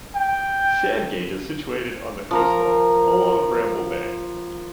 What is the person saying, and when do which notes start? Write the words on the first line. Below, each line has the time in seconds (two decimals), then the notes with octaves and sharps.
Sandgate is situated on the coastline, along Bramble Bay.
0.15 G5
2.31 F3 A#4 A#5